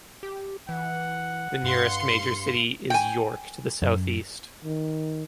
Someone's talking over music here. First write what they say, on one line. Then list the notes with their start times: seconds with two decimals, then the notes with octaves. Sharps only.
The nearest major city is York, to the south-east.
0.23 G4
0.69 E3 F#5
1.64 G2 F5 C6 C#7
2.90 G5 G#5
3.82 F#2
4.65 D#3